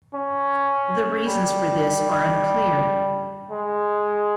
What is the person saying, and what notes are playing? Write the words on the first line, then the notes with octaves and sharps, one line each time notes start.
The reasons for this are unclear.
C#4
G3
G#3